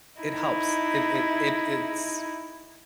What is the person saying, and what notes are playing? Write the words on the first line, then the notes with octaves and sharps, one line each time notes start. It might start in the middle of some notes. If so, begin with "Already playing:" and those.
it helps. It it it it's
D#4 E4